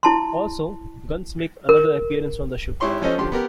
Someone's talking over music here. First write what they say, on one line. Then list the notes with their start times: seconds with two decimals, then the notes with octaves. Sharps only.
Also, guns make another appearance on the show.
0.03 E4 A5 C6
1.69 A#4
2.80 G#1 E4 G4 C#5 C6 C#6
3.02 F3 C#4 A4 C5 D#5
3.18 D3 F3 G4 C6
3.32 B3 G4 A#4